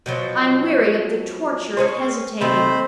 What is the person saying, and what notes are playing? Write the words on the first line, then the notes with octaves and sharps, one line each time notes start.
I'm weary of the torture of hesitating.
B2 F3 F#3
C#4 G#4 C5
C3 D#3 A3 C4 C5 B5